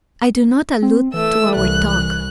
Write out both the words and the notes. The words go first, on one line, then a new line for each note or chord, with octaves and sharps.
"I do not allude to our talk."
C4
E3 A3 E6
C2 F#6